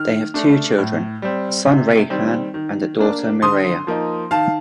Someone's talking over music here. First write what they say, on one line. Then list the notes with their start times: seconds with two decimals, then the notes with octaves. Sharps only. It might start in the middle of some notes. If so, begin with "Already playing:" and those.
They have two children; a son Raihan and a daughter Miraya.
Already playing: D#3 F6
0.34 A3 D4
0.79 A2
1.22 G3 C4
1.66 C3
2.10 D#3 G3 C4
2.54 D#3
2.99 A#3 D4
3.42 D3 C6 D#6
3.87 F3 A#3 D#4
4.31 D#3 F5 A5